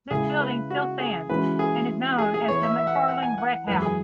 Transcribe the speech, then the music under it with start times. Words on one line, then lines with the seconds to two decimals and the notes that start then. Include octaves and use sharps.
This building still stands and is known as the Macfarlane Bredt House.
0.11 C#3 G#3 E4 G#4
0.41 B4
0.70 F#4
1.00 G#4
1.29 E3 G#3 C#4 F#4 B4
1.59 G#4
2.18 G#4
2.34 G#4
2.48 E3 B3 E4 C#5
2.63 E5
2.78 E5
2.87 F#5
2.95 E5
3.08 F#5
3.22 G#5
3.38 F#5
3.67 F#2 E3 G#3 B4
3.82 G#4